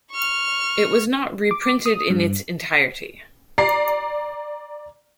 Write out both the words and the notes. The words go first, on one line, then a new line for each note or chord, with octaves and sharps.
It was not reprinted in its entirety.
C#6 F6
D6
D#6
G2
D5 A#5 C7